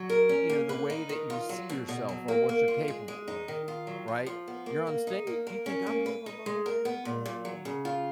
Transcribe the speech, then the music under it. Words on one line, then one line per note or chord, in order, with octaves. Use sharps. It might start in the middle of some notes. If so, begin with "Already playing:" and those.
you know, the way that you see yourself, or what you're capable of, right? You're on stage, you think, "I'm capable of anything,"
Already playing: F#3
A#4
C#4
A#3
B4
D#4
D#3
F4
F#3
B2
B2
F#3
A#3
A#3
F4
G#3
G#3
D#4
D#3
F4
F#3
F3
F3
B3
A#3
A#3
D#4
A#3
A#4
C#4
A#3
B4
D#4
G#3
A#4
B3
A#2
A#2
F#3
C#3
F4